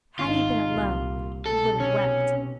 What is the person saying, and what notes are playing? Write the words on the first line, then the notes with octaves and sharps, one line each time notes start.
Had he been alone, he would have wept.
G#1 D#4 F4
C2 A#2
B1 C3 A4
C#4